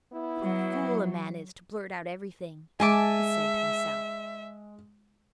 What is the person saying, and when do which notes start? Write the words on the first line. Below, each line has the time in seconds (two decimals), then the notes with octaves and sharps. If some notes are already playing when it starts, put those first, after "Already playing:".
"What a fool a man is to blurt out everything!" he said to himself.
0.13 B3 E4
0.44 F#3
2.80 G#3 E5 G#5 A5 D6